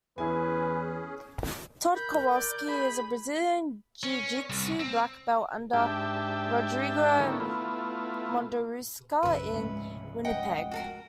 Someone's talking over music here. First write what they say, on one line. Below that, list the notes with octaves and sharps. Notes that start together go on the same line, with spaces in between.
Todd Kowalski is a Brazilian jiu-jitsu black belt under Rodrigo Mundaruca in Winnipeg.
E2 C#4 E4 G#4 B4 G#5
A#4 B5 G6
D5
G#4 B5
C#4
C2
C4
G#2 D4 G4 E5 G5 A5
D3 D#3 A#3 C#4 E4 A4
A3 B3 E4 F4
A#1 F#2 C#3 B4 E5
F1 C#2 G#2 G#3 C#4
D#5 F#5 G5
F#4 A4 A#4